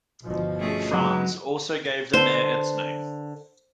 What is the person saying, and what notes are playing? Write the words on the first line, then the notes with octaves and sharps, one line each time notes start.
Franz also gave the mare its name.
G1 B2 F3
A3 C#4 G#4
C#3 F#3 G#3 D#4 B4
D3 A4 B4 C5